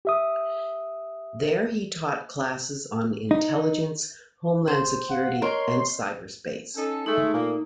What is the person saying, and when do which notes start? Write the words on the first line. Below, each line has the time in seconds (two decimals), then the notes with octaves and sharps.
There he taught classes on intelligence, homeland security and cyberspace.
0.05 G4 E5 D#6
3.31 D#4
4.68 C5
5.10 F5 F#5
5.42 A#4 C#5 D#5 C6
6.75 C#4 D#4 A4
7.06 G#3 A3 D#4
7.33 A#2 A3 A#3